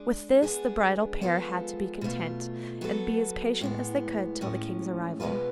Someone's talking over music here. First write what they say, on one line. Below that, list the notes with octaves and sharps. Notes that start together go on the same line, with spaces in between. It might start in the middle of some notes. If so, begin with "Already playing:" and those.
With this the bridal pair had to be content, and be as patient as they could till the king's arrival.
Already playing: G#3 D4 G#4 D5
G#3 B3 D4 G#4
F3 G#3 B3 F4 A4
B2 A3 F4
F#3 B3 F#4 A4
A2 G#3 B3
A2 G#3 C#4
B2 G#3 B3 F4 B4